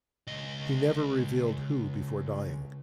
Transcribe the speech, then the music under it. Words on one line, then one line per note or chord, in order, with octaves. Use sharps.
He never revealed who before dying.
C#2 D#5